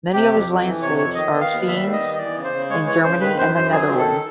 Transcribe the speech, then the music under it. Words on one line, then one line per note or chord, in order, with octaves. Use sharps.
Many of his landscapes are of scenes in Germany and the Netherlands.
C3 G4
F2
F2
E3
C3 C#5
F2 C#5
D#3 D#5
B3
F5
D#2
G3 E5
D#3
D#5
B3
D#5
E3 D5
C#3
C5
C#3
G#3 C#5
E3 C#5
C#3 C5
D#3 B4
F#2 C5
F#2 C5
F#3 G#4
D#3
A4